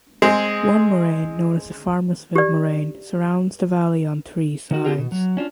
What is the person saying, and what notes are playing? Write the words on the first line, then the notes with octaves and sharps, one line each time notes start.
One moraine known as the Farmersville moraine surrounds the valley on three sides.
G#3 C4 G#4
G4 D5
D#3 F#4
C4 D#4 F4 G4 G#4 A#4
B2
F#3
C#4 D4 F4